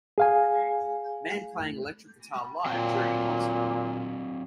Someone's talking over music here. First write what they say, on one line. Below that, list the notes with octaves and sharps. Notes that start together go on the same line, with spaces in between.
Man playing electric guitar live during a concert.
G#4 F5 G#5
A#2 F#3 C4 G5